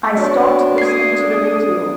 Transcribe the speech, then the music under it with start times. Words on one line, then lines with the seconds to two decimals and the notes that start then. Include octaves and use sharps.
I stopped listening to the radio.
0.16 B2 D4 C#5
0.78 D#6 G#6 C7